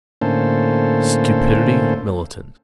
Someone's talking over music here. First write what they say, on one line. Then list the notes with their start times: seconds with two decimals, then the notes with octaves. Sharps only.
Stupidity militant.
0.22 A2 D3 A#3 C#4 A4 C5